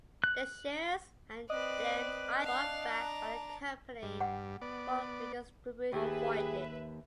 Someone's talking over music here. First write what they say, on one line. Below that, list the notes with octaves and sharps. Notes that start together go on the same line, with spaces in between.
The shares are then either bought back by the company for redistribution or voided.
F#6
C4 B4 D5 D#5 D#6 F#6
D4 F5 A5
A#5
G2
F#5 G5
B3 D5
D#2 G4 G#4 B4 E5